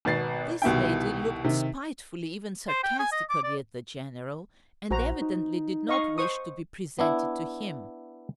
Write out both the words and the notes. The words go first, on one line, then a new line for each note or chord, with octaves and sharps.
This lady looked spitefully, even sarcastically, at the general, and evidently did not wish to be presented to him.
G#1 B2 B3 A6 C7
C2 B2 D#3 E4 G5
C3 D#3
C5
G5
G#5
D#5
D6
D5
A#1 F#4 C5 A#5
D#4
D#5 F5 C#6
C5 C#6 D#6
B3 D4 E4